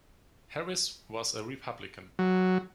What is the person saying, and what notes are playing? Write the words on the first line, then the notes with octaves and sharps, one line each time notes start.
Harris was a Republican.
F#3